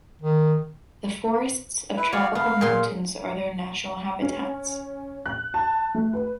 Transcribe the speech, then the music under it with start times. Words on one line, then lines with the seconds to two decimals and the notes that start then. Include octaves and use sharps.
The forests of tropical mountains are their natural habitats.
0.21 D#3
1.97 E4 B4
2.12 F#4 C#5 D5 F5
2.35 B3 F5
2.61 A#2 G#4 C6
4.22 C#4
5.26 F#6
5.54 A5
5.95 A3
6.13 B4